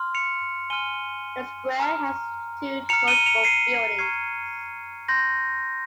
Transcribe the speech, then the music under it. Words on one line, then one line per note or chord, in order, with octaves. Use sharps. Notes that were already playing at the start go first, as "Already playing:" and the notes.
The square has two notable buildings.
Already playing: C6 F6
C#7 F7
G#5 C6 F6 D#7 G7
A#5 F6
A#5 F6 C#7 F7
D#7 G7
C#7 F7
C7 D#7
A#5 C#6 F6 G#6 C7
C6 G6 A#6